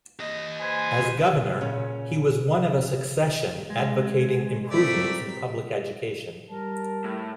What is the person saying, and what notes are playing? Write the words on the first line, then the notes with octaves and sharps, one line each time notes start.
As Governor he was one of a succession advocating improvements in public education.
G4 D#5
B4 C5 G#5
A#2 C#3 C#4
G#3
A3 C4 A#4 D5 B6
G3 A#4 A5
A2